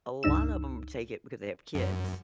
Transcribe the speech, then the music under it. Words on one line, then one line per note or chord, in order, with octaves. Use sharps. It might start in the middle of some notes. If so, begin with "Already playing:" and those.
A lot of 'em take it because they have kids,
C#2 G2 D4 D#4 E6 E7
F#2